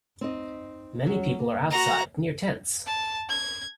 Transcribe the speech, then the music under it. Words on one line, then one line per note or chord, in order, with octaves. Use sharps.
Many people are outside near tents.
C4 D#4 D#5
F#3 C#4
A#3
F#4 A#5
A5
G#6